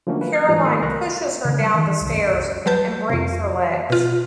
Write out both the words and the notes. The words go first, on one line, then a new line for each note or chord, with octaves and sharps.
Caroline pushes her down the stairs and breaks her legs.
D3 F3 F#3 A3 A#3 C#4
B4
F6 G#6
G#2 E3 F3 G3
D#3 A3 A#4 B5 D#6
C2 A#4 A#5 C#6 F#6
C#3
G3
D#3
D#3
C2
F#2
C2
F#3 G3 B4 A5 G6
F2 C3
B2 F4